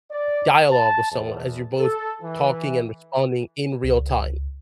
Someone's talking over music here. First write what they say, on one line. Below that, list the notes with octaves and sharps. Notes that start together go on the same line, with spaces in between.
dialogue with someone as you're both talking and responding in real time.
D5
A5
E2
A4
E3
C#2